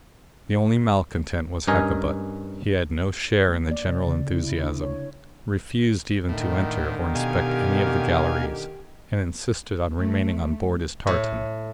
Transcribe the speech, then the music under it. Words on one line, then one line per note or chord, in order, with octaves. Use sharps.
The only malcontent was Hakkabut; he had no share in the general enthusiasm, refused even to enter or inspect any of the galleries, and insisted on remaining on board his tartan.
G2 C#4 A#4 D#5 G#5
A#3
D5
C3
C#3
E4
D4
C#5
A2 D3 D#3
B2 G4 F5 G#5
A3
A2